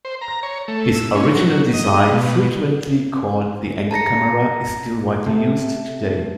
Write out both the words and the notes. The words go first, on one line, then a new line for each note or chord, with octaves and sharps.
His original design, frequently called the Anger camera, is still widely used today.
C5
A#5
C#5
A3
E6
C#4
F#3
D#5
B2
A5 A#5 A#6 C#7
C3 A3